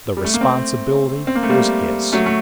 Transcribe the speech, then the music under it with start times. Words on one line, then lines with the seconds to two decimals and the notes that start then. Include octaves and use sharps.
The responsibility was his.
0.17 G3
0.24 A3
0.34 A#3
0.41 A3 C4
1.27 C4
1.35 A#3
1.43 A3
1.49 G3 A#3
2.13 F#3 A3
2.26 A3